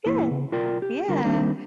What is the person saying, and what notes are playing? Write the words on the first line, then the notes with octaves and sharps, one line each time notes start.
Good. Yeah,
G2 A#2 E3 A#3 E4
C#3
B1 F4 A#4 D5 G5
G4
D3 G3 F4 A#4
D#3 G3 A#3 C4 D4 D#4